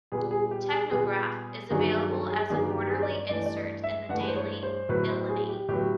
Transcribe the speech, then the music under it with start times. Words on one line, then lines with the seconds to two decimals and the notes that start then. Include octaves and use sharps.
"Technograph" is available as a quarterly insert in the "Daily Illini".
0.12 A#2 G3 B3 G#4
0.31 G#4
0.51 G4
0.70 G#4
0.90 A#2 G3 B3 G#4
1.70 G2 D#3 F#3 A#3 G#4
1.91 G#4
2.10 A4
2.30 G#4
2.50 G2 D#3 F#3 A#3 G#4
2.71 G4
2.89 G#4
3.03 D5
3.09 C#5
3.29 G2 E3 A3 D5
3.46 D5
3.56 D#5
3.84 E5
4.09 G2 E3 A3 F#5
4.20 B4
4.28 C5
4.36 C#5
4.63 C5
4.89 A2 F#3 B3 B4
5.10 C5
5.29 G#4
5.49 G4
5.68 A2 F#3 B3 G4